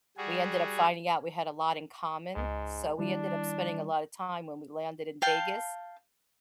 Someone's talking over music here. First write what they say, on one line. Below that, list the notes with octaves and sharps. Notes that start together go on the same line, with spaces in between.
we ended up finding out we had a lot in common, so we ended up spending a lot of time when we landed in Vegas,
G3 F#4 G#4
C#2 G#2 D#5
D#3 G3 D4 E4
F5 G5 A5